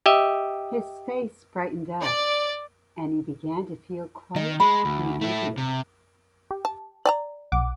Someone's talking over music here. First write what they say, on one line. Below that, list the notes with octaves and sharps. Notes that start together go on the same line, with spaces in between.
His face brightened up, and he began to feel quite convivial.
G4 D#5 E5
D5
D#3 D#5
G#3 B5
D2
A3 E4
C3
G4
A5
D5 G#5 A#5
B1 F#5 D6